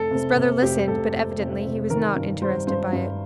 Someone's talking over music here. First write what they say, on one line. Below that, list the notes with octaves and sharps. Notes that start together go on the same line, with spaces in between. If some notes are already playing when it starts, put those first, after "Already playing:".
His brother listened, but evidently he was not interested by it.
Already playing: F1 A4
C3
C3
F1 G4
F1 A4
F1
F1
C3
D#3 A#4
G2
G3 C5
G2 C5
G2